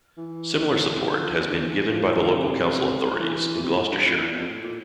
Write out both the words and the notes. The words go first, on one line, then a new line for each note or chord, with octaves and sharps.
Similar support has been given by the local council authorities in Gloucestershire.
E3
C3
D3
F3
E3
D3
E3
E3
F3
E3
D3
C3
E3
A#2
C3
A2
G2
F2
E2
F2
A2
A#2